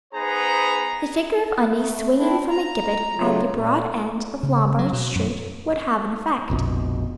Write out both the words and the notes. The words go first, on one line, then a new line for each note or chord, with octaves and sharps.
The figure of Undy swinging from a gibbet at the broad end of Lombard Street would have an effect.
B3 D#4 G#4 B4 C5 A#5
A3
C4 D4 E4
A#5
C#3 F#3 A3 F4
A#2
C#3
F#3
B2
F#2
F1 A#1 B2